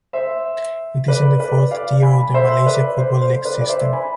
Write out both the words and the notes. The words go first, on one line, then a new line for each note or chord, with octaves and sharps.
It is in the fourth tier of the Malaysia football league system.
C5 E5
B4 D5
B4 D5
D5 F5
G#5 B5
C5 E5
B4 D5
C5
C5
B4 D5
D5
C5 E5
G#5 B5